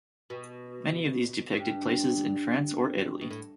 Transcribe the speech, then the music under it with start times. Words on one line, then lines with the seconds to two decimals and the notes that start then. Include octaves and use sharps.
Many of these depicted places in France or Italy.
0.30 B2
1.57 G2
3.21 B2
3.31 A2